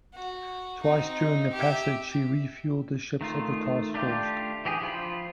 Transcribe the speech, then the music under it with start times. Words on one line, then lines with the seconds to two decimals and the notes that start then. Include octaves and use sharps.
Twice during the passage she refueled the ships of the task force.
0.14 F#4
0.83 C4 D#4
1.53 G4 E5
3.21 D#3 A3 F4
3.94 A3 D4 F4 G4
4.65 E3 G4 G#4
4.82 F3 F4 B5